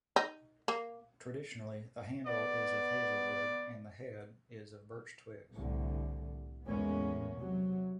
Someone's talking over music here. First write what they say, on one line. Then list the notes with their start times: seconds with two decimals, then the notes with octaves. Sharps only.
Traditionally the handle is of hazel wood and the head is of birch twigs.
0.16 D#4
0.68 A#3
2.25 B3 D5
5.52 C2 A2 D3
6.66 E2 A2 G#3 A#3 B3 C#4
7.36 C3 F#3